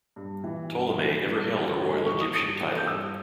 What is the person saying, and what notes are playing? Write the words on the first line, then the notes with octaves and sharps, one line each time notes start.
Ptolemy never held a royal Egyptian title.
G2
E3
G2
E3
G2
E3
G2 C#5
D#5
E3 C#6
D#6
G2 D#6
E3
G6
G2 E6